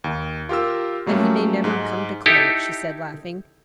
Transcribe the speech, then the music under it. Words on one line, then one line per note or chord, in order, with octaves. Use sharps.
"But he may never come to claim it," she said, laughing.
D#2
F4 G4 A#4 E6
A2 F#3 G3 A3 A#3 C#4
G#2 G#3
D#4 E4 G4 A4